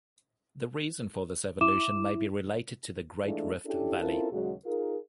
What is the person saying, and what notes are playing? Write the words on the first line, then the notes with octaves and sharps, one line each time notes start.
The reason for this evolution may be related to the Great Rift Valley.
E4 D6 E7
E3 G#3 A3 D4 F4
C#4 D4 E4 G4 A4
C4 C#4 E4 F4 A4 A#4
D#2 A#2 C#3 F#3 G#3 F#4
D#4 F4 G#4 A#4